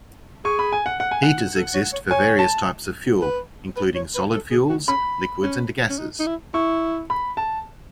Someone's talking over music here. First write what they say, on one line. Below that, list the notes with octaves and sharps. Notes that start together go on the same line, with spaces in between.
Heaters exist for various types of fuel, including solid fuels, liquids, and gases.
G#4 C#6
B5
G#5
F#5
F#5
G#5
F#5
A4
C#5
C#5
C#5 G#5
A5
B4
B4
C#5
B4
A4
G#4
F#4
C#4 B5
C#4
C#4
D#4
D#4
E4
E4 C#6
B5
A5